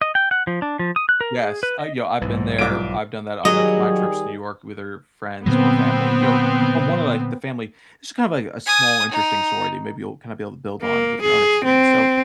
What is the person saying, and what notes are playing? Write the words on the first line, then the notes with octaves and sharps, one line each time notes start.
Yes, I, yo I've been there. I've done that on the my trips to New York with her friends or family. Yo, m I'm one of, like, the family it's kind of a a small interesting story that maybe you'll kinda be able to build on with your own experience. So,
D#5
G5
F#5
F3
D4
F3
D#6
F#6
A#4
G#4
B4
D#5
B1 G#2 E3
C2 F4 D6 D7
D#3 F#3 G3 G#4 D#5
A#2 D3 F#3 B3 C4
G#5 D#6
D#4
A#3
G#4
C4